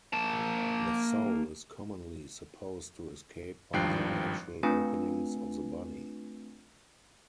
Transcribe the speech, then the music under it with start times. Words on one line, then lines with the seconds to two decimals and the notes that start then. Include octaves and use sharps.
The soul is commonly supposed to escape by the natural openings of the body.
0.13 A#3 A5
3.73 G#1 G2 F3 G5 F#6 C7
4.63 A3 C4 D4 F4 B4 G#5